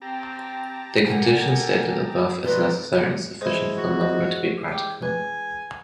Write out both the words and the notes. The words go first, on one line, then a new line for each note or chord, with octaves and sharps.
The condition stated above is necessary and sufficient for a number to be practical.
C4 G4 A5 A#5
A4 A#4 F#5 G#5
B2 E3 G#3 D#4 B4 D5 C6
E3 G#3 C5
F#4
C5 D#5
G4
B4 G#5